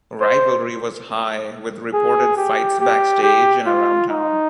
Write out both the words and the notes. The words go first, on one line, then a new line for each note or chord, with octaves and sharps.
Rivalry was high with reported fights backstage and around town.
C5
G#4
G4
G4
G4
F4
D#4